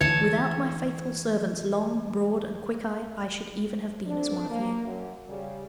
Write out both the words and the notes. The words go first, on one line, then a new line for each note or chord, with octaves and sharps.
Without my faithful servants, Long, Broad, and Quickeye, I should even have been as one of you.'
D2 E3 C#5 A5 G#6
D3 C4 D4
A#3
F#2
C#3 G3